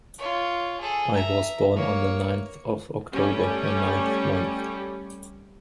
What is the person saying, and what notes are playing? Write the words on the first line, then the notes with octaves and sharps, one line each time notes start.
I was born on the ninth of October, the ninth month.
F4 C#5
G#4 A4
E5 A#5
A#3 C#5
G3 A3 C#4 G4